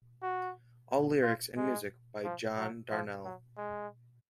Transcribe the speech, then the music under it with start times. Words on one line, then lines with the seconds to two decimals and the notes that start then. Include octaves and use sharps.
All lyrics and music by John Darnielle.
0.22 F#4
1.23 F4
1.57 G#3
2.24 F3
2.57 F#3
2.91 F3
3.24 F#3
3.57 G#3